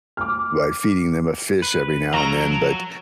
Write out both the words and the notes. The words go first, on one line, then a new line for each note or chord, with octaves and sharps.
by feeding them a fish every now and then, but
D6 F6
B4
F3 F#3 A4 A#4 A#5